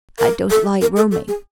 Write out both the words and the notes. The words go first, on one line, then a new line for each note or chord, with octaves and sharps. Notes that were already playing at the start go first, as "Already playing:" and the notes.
"I don't like roaming."
A#4
A4
A#4
A4
A4
G#4